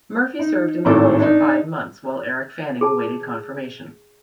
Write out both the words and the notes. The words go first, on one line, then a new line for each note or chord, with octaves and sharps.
Murphy served in the role for five months while Eric Fanning awaited confirmation.
D#4
G#1 A2 A4 D6
D4 D#4
G#4 A5